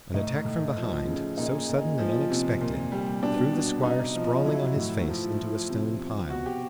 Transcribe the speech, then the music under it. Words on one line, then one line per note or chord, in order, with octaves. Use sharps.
An attack from behind, so sudden and unexpected, threw the squire sprawling on his face into a stone pile.
A2 D#4
A2
F3
C#3
A#2 D#4
A#2
F3
C3
A#2
G3
B2 D4
B2
C3 D#4
F3
F#3 E4
A2
F3
F3
C3
C3
B2 F#4
G4